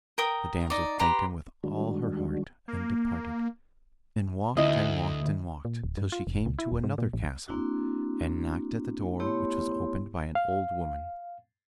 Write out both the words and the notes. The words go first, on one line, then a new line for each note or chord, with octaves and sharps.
The damsel thanked him with all her heart, and departed, and walked and walked and walked, till she came to another castle, and knocked at the door which was opened by an old woman.
A#4 G5 D#6
D#4 D5
G4 B4 A#5 C6
D#3 G3 G#3 D4 F#4
A#3
D2 E4 D#5
A#2
D1
G2
F4
F1
C#2
E4
D#1
G#2
A#2
A1
A#3 C4 D4 E4 F#4
A3 B3 E4 G4 C#5 C6
F5